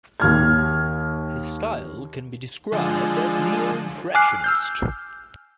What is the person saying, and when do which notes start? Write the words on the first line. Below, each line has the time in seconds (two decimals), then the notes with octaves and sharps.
His style can be described as neo-impressionist.
0.20 D#2 F6 G#6
2.72 D3 F3 G#3
4.15 G#5 D6 F6 F#6 C7
4.44 E6 F6 G6